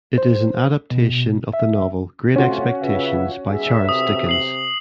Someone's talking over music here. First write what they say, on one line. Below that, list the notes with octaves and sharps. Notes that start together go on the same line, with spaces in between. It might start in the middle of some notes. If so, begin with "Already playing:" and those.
It is an adaptation of the novel "Great Expectations" by Charles Dickens.
C5
B2
E5
C3 A3 C#4 F4 F#4
C#3 F4 B4 E5
B1 G#4 E5
C3 D#6
D#6 C7 F#7